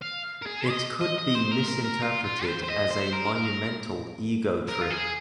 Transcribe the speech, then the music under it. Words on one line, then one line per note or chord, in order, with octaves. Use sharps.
It could be misinterpreted as a monumental ego trip.
F5
A#4
G#4
D#5
D#5
D#5
C5
A#4
A#4
A#4
F4
F4
C5
C5
D#5
C5
A#4
A#4
A#4
F4
G#4